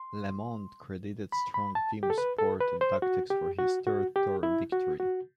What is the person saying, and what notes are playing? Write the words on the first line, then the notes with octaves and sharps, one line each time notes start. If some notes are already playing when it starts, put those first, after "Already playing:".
LeMond credited strong team support and tactics for his third Tour victory.
Already playing: C6
B5
B5
A5
G4
A4
B4
A4
B4
C5
F#4
G4
F#4
F#4
G4
E4
F#4
F#4